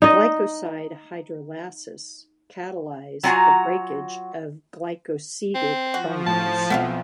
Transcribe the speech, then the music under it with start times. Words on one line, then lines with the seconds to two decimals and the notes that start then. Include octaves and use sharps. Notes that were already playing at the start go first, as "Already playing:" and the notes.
Glycoside hydrolases catalyze the breakage of glycosidic bonds.
0.02 D#4 D#5
3.23 F#3 F4 F#4 F#5 G#5 A#5
5.55 C4
5.94 F3 F#4
6.26 A2 A5
6.70 B1 B3 C4 E4 F4 F#5